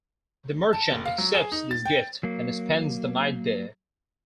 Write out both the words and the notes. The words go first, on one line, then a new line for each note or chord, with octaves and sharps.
The merchant accepts this gift and spends the night there.
A5
F#1
F5
F#3
G#4
D#4
A6
G5
F#3 A#3